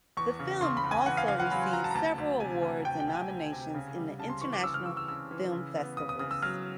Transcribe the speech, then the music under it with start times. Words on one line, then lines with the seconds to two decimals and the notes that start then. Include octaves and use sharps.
The film also received several awards and nominations in international film festivals.
0.17 E2 C#6
0.39 C#3
0.61 C#3 C6
0.77 B5
0.84 E2
0.91 G#5
1.06 E2 F#5
1.17 F5
1.28 C#3 F5
1.40 F#5
1.51 F#3 B5
1.62 C6
1.73 F#3 A#5
1.84 A5
1.91 A#5
1.95 D2 A5
2.18 D2
2.40 C3 G#5
2.63 D2
2.85 D2 G5
3.00 G5
3.08 D2
3.15 G#5
3.30 D2
3.52 C3
3.74 C#3
3.96 G3
4.19 C#3 A5
4.30 C6
4.42 E3 C#6
4.53 D6
4.63 C#3 E6
4.74 F6
4.86 E3 E6
4.97 E6
5.08 C#3 E6
5.31 E3
5.52 C#3
5.75 B3
5.97 C#3 D#6
6.09 D#6
6.19 C#3 D#6
6.31 E6
6.42 F#3 F6